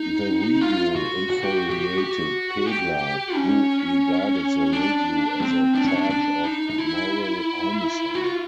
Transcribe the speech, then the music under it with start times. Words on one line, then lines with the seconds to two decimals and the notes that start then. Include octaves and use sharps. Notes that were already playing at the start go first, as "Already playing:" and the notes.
The review infuriated Pegler, who regarded the review as a charge of "moral homicide".
Already playing: D#4
0.61 F4
0.96 F#4
1.30 F#4
1.43 G4
1.56 F#4
1.70 G4
1.83 F#4
1.98 G4
2.11 F#4
2.66 G4
3.35 C#4
4.73 D4
5.41 C4
5.75 D4
5.85 C#4
5.94 D4
6.10 D4
6.44 D#4
6.70 D#4
6.78 E4
8.15 F#4
8.24 F4